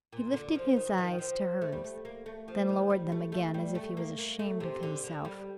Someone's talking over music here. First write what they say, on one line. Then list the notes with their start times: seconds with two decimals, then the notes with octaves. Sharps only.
He lifted his eyes to hers, then lowered them again as if he was ashamed of himself.
0.13 A#2
0.33 D3
0.55 F3
0.76 D#3
0.98 D#3
1.19 F3
1.62 A3
1.72 G3
1.84 A3
2.05 A#3
2.26 A3
2.48 F3
2.69 D#3
2.90 G3
3.12 A3
3.32 A3
3.54 G3
3.75 A3
3.97 A#3
4.18 A#3
4.39 A3
4.60 C3
4.83 D3
5.04 D3
5.25 G3